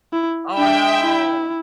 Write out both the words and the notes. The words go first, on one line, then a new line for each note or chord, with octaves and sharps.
Oh, no!
E4
D4 E5 G5
E4